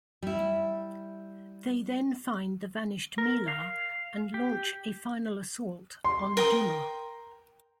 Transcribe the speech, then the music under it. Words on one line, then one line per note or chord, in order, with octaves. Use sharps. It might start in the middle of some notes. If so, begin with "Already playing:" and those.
They then find the vanished Mila and launch a final assault on Duma.
G3 E4
A#4
F5
G4
C6
A#4 G5 D#6